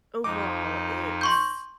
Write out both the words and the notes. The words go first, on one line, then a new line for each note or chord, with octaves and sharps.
overall, it's
F2 D#4 D6
C6 C#6 G6